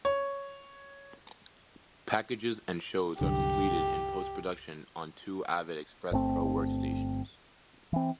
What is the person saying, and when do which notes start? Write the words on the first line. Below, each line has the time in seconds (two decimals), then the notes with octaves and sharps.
Packages and shows are completed in post-production on two Avid Xpress Pro workstations.
0.05 C#5
3.21 C2 F#2 D3 G4
6.12 G1 A3 C4
7.93 E3 C4